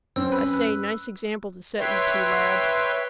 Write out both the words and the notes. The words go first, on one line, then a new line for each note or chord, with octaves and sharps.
I say, nice example to set you two lads.
F#2 C4 C#4 E6
B4
F#6
B4 C#5 E5 G5 C6